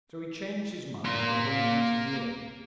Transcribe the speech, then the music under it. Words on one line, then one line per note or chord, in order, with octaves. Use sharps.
So he changed his mind, and went into the inn.
A#3 C6